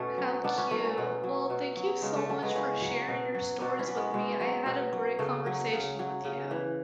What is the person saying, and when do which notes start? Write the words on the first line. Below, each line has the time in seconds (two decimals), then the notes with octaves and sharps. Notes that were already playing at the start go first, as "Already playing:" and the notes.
How cute. Well, thank you so much for sharing your stories with me, I had a great conversation with you.
Already playing: B2 A3 C#4
0.18 F#3
0.44 B2 B3 D4
0.58 C#4 E4
0.71 F#3 A3 C#4
0.85 A3
0.98 B2
1.24 F#3
1.50 B2
1.76 F#3
2.02 C#3 G#3
2.16 A3
2.29 F#3 A3
2.42 G#3 B3
2.55 C#3 C#4 E4
2.82 F#3
3.09 B2
3.35 F#3
3.61 B2 D4 F#4
3.79 C#4 E4
3.87 F#3
3.96 G#3 B3
4.14 B2 G#3
4.40 F#3
4.66 B2
4.93 F#3
5.19 C#3 A3
5.46 F#3
5.72 C#3
5.99 F#3
6.25 C#3
6.51 E3